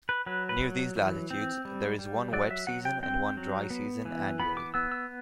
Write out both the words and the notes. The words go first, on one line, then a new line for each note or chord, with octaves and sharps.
Near these latitudes, there is one wet season and one dry season annually.
B4
F#3 B4
B4
F#3
E3
C4
G3
G3
F#3 D5
E5
F#3 F#5
G5
C4 G5
F#3
B3
E3
B3 B5
D6
B3 E6
E6